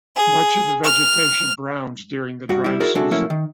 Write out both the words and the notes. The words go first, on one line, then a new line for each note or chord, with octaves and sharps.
Much of the vegetation browns during the dry season.
G#4
F6
G2 F#4
G3 E4
E4 F#4 G#4 A#4 D5
C3 G#3 D4 F#4 A4
F3 F#3 A3 A#3 C#4 E4
D#3